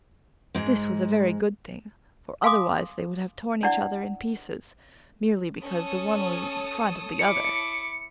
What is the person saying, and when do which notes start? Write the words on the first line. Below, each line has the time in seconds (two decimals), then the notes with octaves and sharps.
This was a very good thing, for otherwise they would have torn each other in pieces, merely because the one was in front of the other.
0.55 G#2 G#3
2.44 F5 G#5 C6 D6 D#6
3.63 D4 E4 D5 F#5
5.62 C#4 A4 C#5 D#6
7.19 E4 D6 C#7